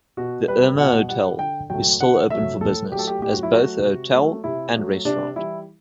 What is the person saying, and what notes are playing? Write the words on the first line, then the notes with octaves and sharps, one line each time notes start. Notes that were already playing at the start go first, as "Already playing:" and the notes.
The Irma Hotel is still open for business as both a hotel and restaurant.
B2 F#4
G3 B4
B2 F#5
G3 F#5
D3 G5
F#3 A3 G5
D3 F#5
F#3 A3 E5
A2 A4
F#3 A3 G4 A4
G4
A2 G4
F#4
E4
F#3 A3 F#4
C3
F#3 A3
C3 E4
F#3 A3
C3 D4
E3 G3 E4